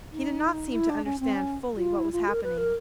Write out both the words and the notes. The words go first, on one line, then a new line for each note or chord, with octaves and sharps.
He did not seem to understand fully what was happening.
D#4
E4
D4
C#4
C4
C#4
F4
E4
F4
A#4
B4
A#4